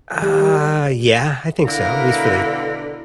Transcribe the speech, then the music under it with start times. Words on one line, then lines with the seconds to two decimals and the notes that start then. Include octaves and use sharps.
Uh, yeah, I think so, at least for the
0.22 G3
1.67 B2 D3 E4 A#4 B4 F5